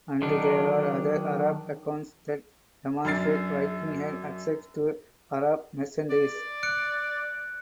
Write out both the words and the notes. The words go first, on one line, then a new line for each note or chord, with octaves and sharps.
And there are other Arab accounts that demonstrate Vikings had access to Arab merchandise.
D#3 F#3 D4
F#2 D4 F6 A6 C7
D5
F#6 C#7 D7